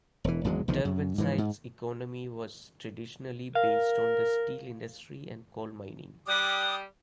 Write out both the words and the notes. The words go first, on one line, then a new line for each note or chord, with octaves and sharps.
Derwentside's economy was traditionally based on the steel industry and coal mining.
E1 E3
G#1 E2 F#3 G#3
B1 D3 D#3 F3
F#2
G#2 E3 F3
G#2
A#4 F5
G3 D6 D#6 F#6